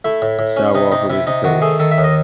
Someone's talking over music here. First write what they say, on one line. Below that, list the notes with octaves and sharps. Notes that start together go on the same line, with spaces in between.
Sal Walker was the coach.
A3 E4
A2
A2
C#4
C3 D#4
C3 D#4
C3 E4
C3 D#4
D#3 F#4
A3 G#4
D#3 A4
E5
D#2
D#5